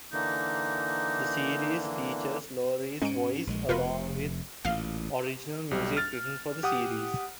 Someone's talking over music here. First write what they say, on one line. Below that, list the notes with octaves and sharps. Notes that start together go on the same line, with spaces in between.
The series features Laurie's voice, along with original music written for the series.
D3 E3 A#3 D#4
G#2 C#4 D7
A#1 F3 G#3
F1 C3 F4 A#4 B4
A1 A#2 F5
B1 G3
F6 A6
G4 F#5 D#6